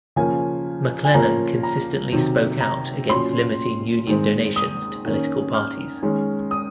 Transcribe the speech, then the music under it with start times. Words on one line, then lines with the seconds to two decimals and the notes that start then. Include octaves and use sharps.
McClellan consistently spoke out against limiting union donations to political parties.
0.16 C#3 F3 A#3 C#4 G#5
1.05 G#5
1.14 C#3 F3 A#3 C#4 A#5
1.63 A#5
2.12 C3 D#3 F#3
2.61 A#5
3.10 A#2 F#3 C#4 C6
4.07 D#3 G#3 C4
4.56 D#6
5.05 D#3 A#3 C#4
5.54 F6
6.02 D#3 G#3 C#4
6.51 D#6